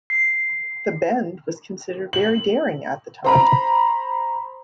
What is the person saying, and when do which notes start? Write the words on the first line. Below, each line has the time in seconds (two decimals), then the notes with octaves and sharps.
The "bend" was considered very daring at the time.
0.10 C7
2.13 F#7
3.25 C5 A#5 B5